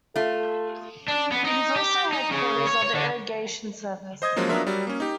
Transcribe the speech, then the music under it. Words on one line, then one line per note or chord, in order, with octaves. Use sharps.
It is also headquarters of the Irrigation Service.
A3 F4 A4
D4
B3
D#4
G4
D#4
C#3
C#5
C#5
D3
C5 D#5 D#6 G#6
F3 F#3 G#3 A#3 C#4
F#3 B3 D4 F4 A#4 E5
F#3 G3
A#3 C#4
D#4 G4